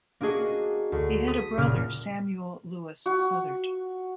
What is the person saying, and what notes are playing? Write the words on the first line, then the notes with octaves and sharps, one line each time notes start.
He had a brother, Samuel Lewis Southard.
A#3 D4 F#4 G#4 D#5
D2
D#6 B6 D#7
F#1 A#2 A#3 F6
F#4